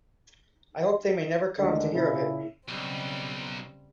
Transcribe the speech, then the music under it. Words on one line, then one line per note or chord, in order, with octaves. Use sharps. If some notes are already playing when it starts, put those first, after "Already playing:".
I hope they may never come to hear of it.
D2 D3 D#3 G#3
A#2 C#3 E4
B1 C#3 G3 C4